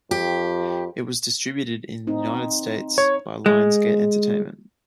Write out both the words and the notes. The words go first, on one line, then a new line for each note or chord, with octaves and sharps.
It was distributed in the United States by Lions Gate Entertainment.
F2 G4
C4 D#4
C#5
G#3